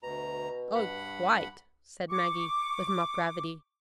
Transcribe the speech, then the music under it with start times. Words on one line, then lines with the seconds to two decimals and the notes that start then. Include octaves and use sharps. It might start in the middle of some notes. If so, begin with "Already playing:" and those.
"Oh, quite," said Maggie, with mock gravity.
0.03 D2 B2 A#5
0.75 G2 F#5 B5
2.10 C#6 D6